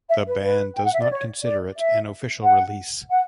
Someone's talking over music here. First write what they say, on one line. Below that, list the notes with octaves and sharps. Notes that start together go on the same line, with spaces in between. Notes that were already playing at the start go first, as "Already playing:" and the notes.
The band does not consider it an official release.
E5
B4
B4
G5
F#5
E5
D5
C#5
D5
E5
F#5
F#5